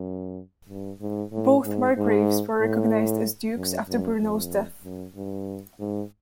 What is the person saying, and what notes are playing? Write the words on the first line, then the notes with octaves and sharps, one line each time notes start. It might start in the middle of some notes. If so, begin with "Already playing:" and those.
Both margraves were recognised as dukes after Bruno's death.
Already playing: F#2
G2
G#2
A2
G#2
G#2
A2
F#2
F#2
F2
F#2
G2
G#2